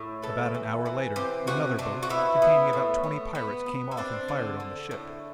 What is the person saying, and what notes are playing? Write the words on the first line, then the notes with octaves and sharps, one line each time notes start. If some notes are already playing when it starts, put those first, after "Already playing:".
About an hour later another boat, containing about twenty pirates, came off and fired on the ship.
Already playing: A2
B3 A4
E3
E3
C4 G4
C3 F#4
C3 D4
F#4
B3 E4
B3
A2
B3
B3
B3
E4
C4 D4
D3
D3
A2